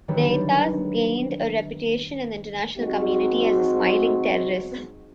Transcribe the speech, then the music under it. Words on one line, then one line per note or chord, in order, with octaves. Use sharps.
They thus gained a reputation in the international community as the smiling terrorists.
D#3 F#3 G3 D4 B4 C#5
F#3 G#3 C4 D#4 F#4